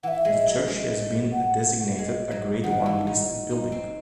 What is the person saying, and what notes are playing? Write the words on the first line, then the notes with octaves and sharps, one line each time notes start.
The church has been designated a Grade One listed building.
E3 E5 F#5
G#3
F#3
G#3
A3
F#5
G#3
F#3
D#3 F#5
E3
D#4
D#4
C4